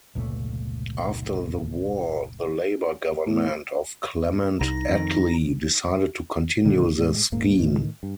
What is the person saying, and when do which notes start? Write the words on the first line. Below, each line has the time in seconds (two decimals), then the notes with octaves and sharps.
After the War the Labour government of Clement Attlee decided to continue the scheme.
0.15 F1 C#2 A#2 A3
3.27 A2
4.61 C2 D#4 A#6
4.91 F2 D#3
6.65 F1 A#2 D3 D#3
6.98 A2 G#3
7.32 D#1 G#2 A#3
7.59 A2 D#3
8.03 G2